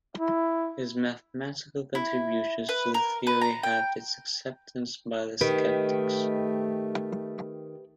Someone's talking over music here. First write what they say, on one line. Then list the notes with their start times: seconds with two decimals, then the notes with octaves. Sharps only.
His mathematical contributions to the theory helped its acceptance by the skeptics.
0.20 E4
1.95 E4
2.69 B4
2.94 A#4
3.27 B4
3.41 A#5
3.63 G5
5.41 D#3 A3 G4 B4